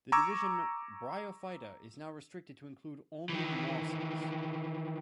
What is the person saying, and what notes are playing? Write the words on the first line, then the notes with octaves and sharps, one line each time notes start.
The division Bryophyta is now restricted to include only mosses.
A#5 C#6 D6 E6 G#6
D#3 E3